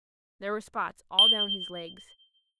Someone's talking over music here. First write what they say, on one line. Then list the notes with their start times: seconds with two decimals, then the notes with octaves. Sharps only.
There were spots all down his legs.
1.19 G7